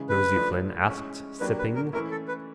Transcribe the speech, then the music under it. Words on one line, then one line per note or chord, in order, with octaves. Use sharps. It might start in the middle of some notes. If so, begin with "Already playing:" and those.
Nosey Flynn asked, sipping.
Already playing: C#3 E3 G#3
B4
F3 A3 D4
G#3 C#4 E4
F#3 A#3 D4 G4 B4
B4
A#4
E3 A3 C#4 E4 A#4
A4
B4